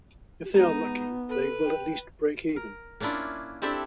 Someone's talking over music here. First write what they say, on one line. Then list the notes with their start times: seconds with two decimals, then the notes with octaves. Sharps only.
If they are lucky, they will at least break even.
0.54 G#3 B3 D#4
1.29 A4 B4
1.65 G5
2.56 A#4
3.00 A#3 C#4 D4 E4 F4
3.62 C4 D4 E4 G4 A4 E5